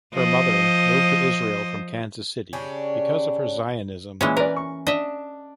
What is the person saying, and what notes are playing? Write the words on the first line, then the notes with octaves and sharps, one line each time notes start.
Her mother moved to Israel from Kansas City because of her Zionism.
F3 C5 D#5
C#3 C#4 D4 G4
A#2 E3 G#3 C#4
A#4 B4 D5
C#6
D4 D#5 E5